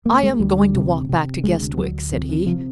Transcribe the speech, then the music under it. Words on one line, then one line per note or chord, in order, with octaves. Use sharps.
"I am going to walk back to Guestwick," said he.
D2 A#3
G#3
D2 G3
G3
C3
C3
D2 G#3
D2 F#3
C3 F3
E3
C3 F3